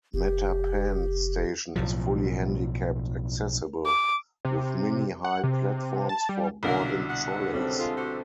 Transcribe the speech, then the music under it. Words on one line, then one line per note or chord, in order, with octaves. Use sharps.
Mattapan station is fully handicapped accessible, with mini-high platforms for boarding trolleys.
F1 G4
B1 A2 F3
D6
C3
F#5
C3
A5
G3
C2 B2 D3 A#3 A#4
F#5
F#2 C#3 G3 C4 A4
G#3 F4 A4
F#4 G4 C5